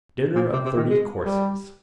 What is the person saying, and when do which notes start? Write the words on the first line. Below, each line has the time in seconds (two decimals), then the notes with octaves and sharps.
Dinner of thirty courses.
0.35 A#2
0.53 C3
0.65 C3
0.77 D#3
0.89 G#3
1.25 G3